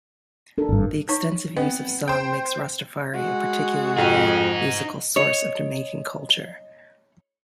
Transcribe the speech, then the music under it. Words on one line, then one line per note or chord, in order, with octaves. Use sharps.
The extensive use of song makes Rastafari a particularly musical source of Jamaican culture.
D4 A4 A#4
G#1 G2
D#4 C#5 C#6
B3 C4 D#5
C5 G5
G#3 F#4
F2 D#4 G#4
C#5 D#5